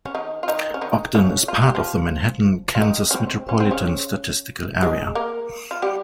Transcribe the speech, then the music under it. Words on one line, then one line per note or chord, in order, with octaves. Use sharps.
Ogden is part of the Manhattan, Kansas Metropolitan Statistical Area.
C#4
D#3 D#4
F4
D#3 D#4
C#4
D#3 D#4
C#3 C#4
F4
G4
F3 F4
F4
D#3 D#4
C#4
C4
C#4
C4
C#3 C#4
G#3 G#4
A#3 A#4
F4
G3 G4